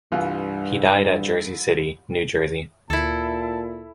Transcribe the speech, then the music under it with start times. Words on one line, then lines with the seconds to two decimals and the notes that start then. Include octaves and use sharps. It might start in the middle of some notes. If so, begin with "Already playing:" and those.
He died at Jersey City, New Jersey.
0.12 C2 G2 E3 F4
2.90 D2 A#2 E4 A4 A5